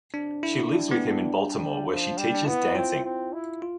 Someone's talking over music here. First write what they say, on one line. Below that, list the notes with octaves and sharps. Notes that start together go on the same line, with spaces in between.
She lives with him in Baltimore where she teaches dancing.
C3 D4
D3 E4
G3 D4
B3
D4
F3
G3
D4
B3 E4
C4 F4
C4
E4
F4